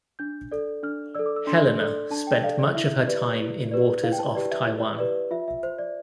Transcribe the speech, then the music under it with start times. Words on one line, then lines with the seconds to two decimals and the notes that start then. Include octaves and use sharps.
"Helena" spent much of her time in waters off Taiwan.
0.19 D4 G6
0.52 A4 D5
0.83 D4 F6
1.15 A4 D5 E6
1.26 D6
1.36 E6
1.47 D4 C6
1.79 A4 D5
2.11 D4 A5
2.27 G5
2.43 A4 D5 F5
2.59 D5
2.75 E4 E5
3.07 G4 B4 D5
3.40 E4
3.71 G4 B4 D5
4.03 E4 F5
4.12 G5
4.19 A5
4.35 G4 B4 D5
4.51 E5
4.67 E4
4.99 G4 B4 D5
5.31 F4 E5
5.48 E5
5.63 C5
5.79 D5